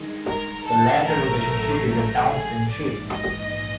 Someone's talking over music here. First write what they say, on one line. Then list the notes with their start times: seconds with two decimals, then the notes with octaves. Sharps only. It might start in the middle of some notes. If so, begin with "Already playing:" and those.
The latter relationship is a "town friendship".
Already playing: G2 D#3 G#3
0.25 A#4
0.67 A4
1.07 A1 A2 F#3 A3 A#4
1.89 A#4
2.29 G#4
2.69 A#1 G#2 E3 D5
3.10 D#5